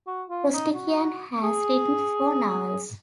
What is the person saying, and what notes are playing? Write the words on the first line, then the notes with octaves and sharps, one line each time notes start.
Costikyan has written four novels.
F#4
F4
D#4
F#4
G#4